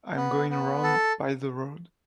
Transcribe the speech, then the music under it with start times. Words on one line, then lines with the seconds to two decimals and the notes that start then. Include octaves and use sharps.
I’m going round by the road.
0.16 B3
0.50 B3
0.83 A4